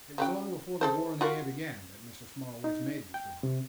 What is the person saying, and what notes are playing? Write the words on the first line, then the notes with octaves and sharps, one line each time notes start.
It was along before the War in the Air began that Mr. Smallways made this remark.
C#3 F#3 G5
G#4 A4 C5
F4 F#4 A#4
D#4
G5
C3